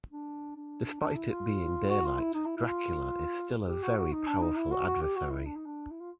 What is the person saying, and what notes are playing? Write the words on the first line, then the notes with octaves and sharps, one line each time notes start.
Despite it being daylight, Dracula is still a very powerful adversary.
D4
D4
D4
E4
F4
F#4
F4
E4
D#4
E4
E4
F4
G4
F#4
F#4
D#4
D4
D#4
E4
F#4
F#4
G4
F#4
E4
D4
D#4
D4
E4
F4